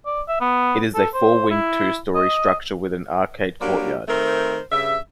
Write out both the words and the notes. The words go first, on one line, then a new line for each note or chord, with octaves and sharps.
It is a four-winged two-story structure with an arcade courtyard.
D5
E5
B3
A4
C5
E4
D#5
F#3 G3 A#3 D4 G4
D#3 A3 C4 A#4 C5
G2 C#3 E5